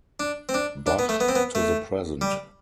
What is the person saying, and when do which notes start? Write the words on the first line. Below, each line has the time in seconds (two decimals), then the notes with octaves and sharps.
Bach to the present.
0.20 D4
0.49 C4
0.54 D4
0.87 D4
0.99 B3
1.09 A3
1.20 B3
1.29 C4
1.35 B3
1.55 A3
2.21 G3